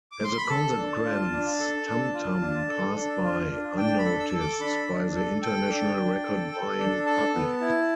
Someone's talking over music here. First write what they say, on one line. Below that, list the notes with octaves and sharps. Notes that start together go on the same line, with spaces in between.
As a consequence, "Tam-Tam" passed by unnoticed by the international record-buying public.
D6
C6
B5
A4 A5
D4
F4
D4
A4
D4
F4
D4
A4
D4
F4
D4
D4 G5
B5
A4
E6
A4
D6
D4 B5
D4
A4
A4 G5
D4
D4
A4
A4
D4
A4 A5
B3
E4